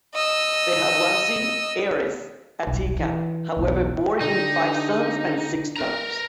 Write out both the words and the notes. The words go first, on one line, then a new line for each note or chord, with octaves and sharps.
The Hawazin heiress Atikah, however, bore him five sons and six daughters.
D#5 E6
D#1 B1
E3
D1 B1 E2
D3 D4 D#4 G4
A#4 B4 A#5